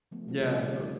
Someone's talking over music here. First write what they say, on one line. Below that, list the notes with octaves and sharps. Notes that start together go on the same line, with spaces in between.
yeah, but
F3 A3 B3
G3 B3 C4 F4
C3 G3 C#4 G#4 A#4 D5
D#4 C#5
D3
D#4